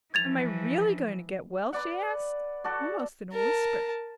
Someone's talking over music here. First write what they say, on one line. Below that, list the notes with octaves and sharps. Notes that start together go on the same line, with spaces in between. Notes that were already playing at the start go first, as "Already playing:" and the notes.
"Am I really going to get well?" she asked, almost in a whisper.
E3 F3 G#6 A6 F7
B4 D5 F#5
F#4 A4 D5
A#4 A5